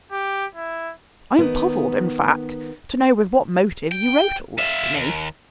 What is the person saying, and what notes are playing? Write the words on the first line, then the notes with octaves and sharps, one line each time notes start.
I am puzzled, in fact, to know with what motive you wrote all this to me.
G4
E4
D#3 B3
G5
F4 E5
D#2